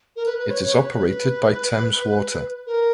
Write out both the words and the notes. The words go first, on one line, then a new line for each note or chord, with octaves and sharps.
It is operated by Thames Water.
A#4
B4
B4
C#5
C#5
B4
A#4